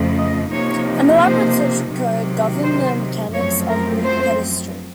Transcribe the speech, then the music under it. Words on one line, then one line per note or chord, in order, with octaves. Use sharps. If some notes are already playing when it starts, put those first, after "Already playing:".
An elaborate social code governed the mechanics of Greek pederasty.
Already playing: F2 C#3 F3 A3
D#5
C3 F3 A#3 D#4 C#5
C5
C3 D#3 F#3
C5
F#2 F3 A3 C4 C#5
A#4
C5